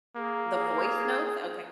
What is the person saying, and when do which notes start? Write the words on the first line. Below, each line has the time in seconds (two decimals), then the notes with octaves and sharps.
the voice notes? Okay.
0.16 A#3 G#4
0.53 G#4
0.66 A#4
0.79 G#4